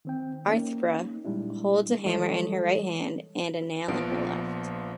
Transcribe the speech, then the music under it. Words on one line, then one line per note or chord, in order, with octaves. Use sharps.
Athrpa holds a hammer in her right hand and a nail in her left.
D#3 C4 G5
A#3 C#4 D#4
A#2 G3 G#3 D4 E4
E3 G3 G#3 A4 C#5 D#5
A#1 F3 B3 F4 D7